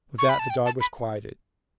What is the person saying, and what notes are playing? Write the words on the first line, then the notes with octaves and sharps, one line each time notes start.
With that the dog was quieted.
C#6
B5
A5
G5
A5
B5